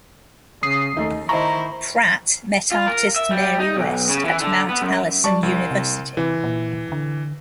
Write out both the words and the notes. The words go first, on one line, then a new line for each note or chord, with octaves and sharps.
Pratt met artist Mary West, at Mount Allison University.
C#3 D#6 C7
D#2 A3 D#4
D#3 E4 C5 D#5 A5 A#5 C#6
F4
A#4
E5
G3
D#4
B1
C#3
E3
D3
B3
F#2
G3 D5 A5 C#6
C2
C3
C3 E3
A#2
D3